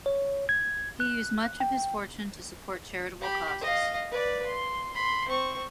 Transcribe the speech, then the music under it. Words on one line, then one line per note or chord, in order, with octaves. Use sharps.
He used much of his fortune to support charitable causes.
C#5
G#6
F#6
G5
G4 B5
D#5 F5
B4 D5
C6
B5 C6
C4 C#6